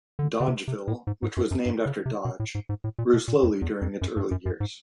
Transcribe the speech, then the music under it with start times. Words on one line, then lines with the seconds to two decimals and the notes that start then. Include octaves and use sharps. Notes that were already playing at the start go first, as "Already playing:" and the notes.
Dodgeville, which was named after Dodge, grew slowly during its early years.
0.19 D3
0.40 C#3
0.48 C3
0.68 C3
0.88 A2
1.07 G#2
1.23 G#2
1.37 F#2
1.51 F#2
1.66 G2
1.86 C#3
2.06 C3
2.25 B2
2.40 A2
2.55 G#2
2.69 G#2
2.84 A2
2.99 A#2
3.14 B2
3.28 A#2
3.43 F2
3.62 E2
3.82 F2
4.02 F#2
4.17 G2
4.31 F#2
4.46 F#2
4.60 G#2